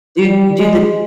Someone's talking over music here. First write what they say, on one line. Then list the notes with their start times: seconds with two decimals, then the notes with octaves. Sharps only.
do do the
0.26 G3
0.59 G#3